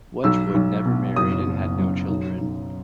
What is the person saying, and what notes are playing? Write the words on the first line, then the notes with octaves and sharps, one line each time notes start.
Wedgwood never married and had no children.
B1 E6
B1
B2
F#1 D#6
F#1
F#2
B1
B1